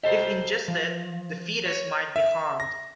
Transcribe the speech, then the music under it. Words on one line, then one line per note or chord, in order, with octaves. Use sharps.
If ingested, the fetus might be harmed.
G4 A4 C5 D#5
F3
C#5
E5
A#6